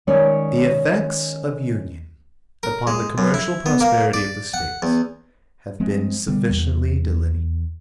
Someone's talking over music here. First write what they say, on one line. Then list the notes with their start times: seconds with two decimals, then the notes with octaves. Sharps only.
THE effects of Union upon the commercial prosperity of the States have been sufficiently delineated.
0.07 D#3 G#3 C#4 C#5 D5
2.63 A#4
2.87 G#3
3.18 F#2
3.34 E4
3.66 B3
3.81 A#3
4.14 D5
4.54 F#5
4.82 E2
5.80 F3 G#3 C4
6.28 B2 D3 G3 B3
6.50 E2